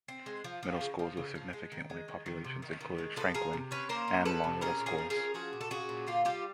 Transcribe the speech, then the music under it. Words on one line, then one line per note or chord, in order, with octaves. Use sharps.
Middle schools with significant White populations included Franklin, and Long middle schools.
C4
G#3
F3
F3
C#3
F3
C#3
F3
G#3
D#3
G#3
D#3
D#3
C3
D#3
D#3
G#3
F3 A4 B4
F3 G#4 A#4
C3
C#4 B4 C#5
A#3 A#4 C5
C#4
F3 A4 B4
C3
C#4 G#4 A#4
A#2
G#4 A#4
F3
G#4 A#4
C#4
F3 F#4 G#4
A#2
A4
C#4 F#4 G#4
A#2
D3 F4 G4
G3 F4 G4